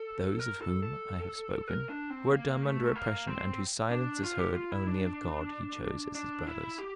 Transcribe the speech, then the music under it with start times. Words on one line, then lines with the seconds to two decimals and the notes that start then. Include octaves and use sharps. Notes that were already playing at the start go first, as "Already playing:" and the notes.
Those of whom I have spoken, who are dumb under oppression, and 'whose silence is heard only of God,' he chose as his brothers.
Already playing: A4
0.39 A#4
0.62 A4
0.83 A4
1.68 A#4
1.89 D4
2.10 C4
2.31 A#3
2.63 A3
2.95 A#3
3.27 C4
3.90 D4
4.23 F4
4.38 G4
4.55 F4
4.71 E4
4.87 D4
6.15 D4
6.47 E4
6.78 G4